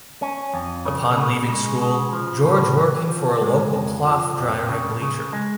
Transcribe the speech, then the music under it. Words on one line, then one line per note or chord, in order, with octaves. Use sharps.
Upon leaving school, George working for a local cloth dyer and bleacher.
C#4
F2
C#3
C#3
G#3
C#3
F3
A2
F#3
F3
G#3
F2
F3
F2
C#3
C#3
G#3